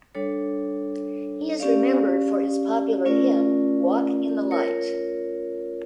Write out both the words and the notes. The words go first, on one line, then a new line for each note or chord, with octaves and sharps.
He is remembered for his popular hymn: "Walk in the light".
G3 D4 A4 C#5
C#4 G4 D5 F5
A3 C#4 F4 A#4 D5
F4 A#4 C#5